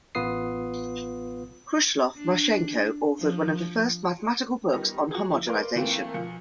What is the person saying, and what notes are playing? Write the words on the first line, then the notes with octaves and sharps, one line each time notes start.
Khruslov, Marchenko authored one of the first mathematical books on homogenization.
A1 B3 F4 B4 D#6 C7
D4
F3
D#3 G3 B3 D#4
F#4 G#4
F3 E4
A#4 B4 D5 F5 C6
E3 A3 A#3 C4
B1 F3 C#7